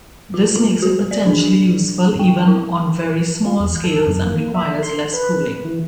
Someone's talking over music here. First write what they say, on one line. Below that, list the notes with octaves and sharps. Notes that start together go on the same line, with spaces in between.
This makes it potentially useful even on very small scales and requires less cooling.
F4
F#4
D5
D4
G5
E4
F4
E2
A4
F#2
A#3
E5
C6
B4
E3